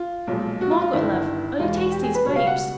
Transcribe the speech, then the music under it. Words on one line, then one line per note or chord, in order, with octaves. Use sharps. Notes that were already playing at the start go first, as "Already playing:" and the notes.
Margaret love, only taste these grapes!
Already playing: F4
B1 A#2 F3 G#3
F#4
F4
F4
G1 G2 D#3 E4
E2 B2 G#3 F4
F#4
G4
G#4
B4
C#2 B2 G3 C#5
F5
F#5